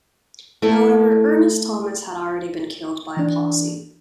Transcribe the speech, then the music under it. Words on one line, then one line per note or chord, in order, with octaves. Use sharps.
However, Ernest Thomas had already been killed by a posse.
A3 E4 A4
E3 D4